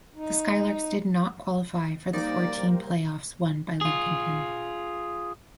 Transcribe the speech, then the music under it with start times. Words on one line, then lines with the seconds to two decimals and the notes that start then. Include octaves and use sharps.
The Skylarks did not qualify for the four–team playoffs won by Lincolnton.
0.16 D#4
2.13 G3 A#3 D#4 A#4 C5 D5 D6
3.81 F4 G#4